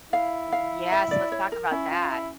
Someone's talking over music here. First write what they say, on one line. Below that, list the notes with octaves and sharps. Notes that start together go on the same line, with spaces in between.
Yes. Let's talk about that.
E4 F5
F5
E5
D5
C#5
A#4
C#4 E4
F4
E4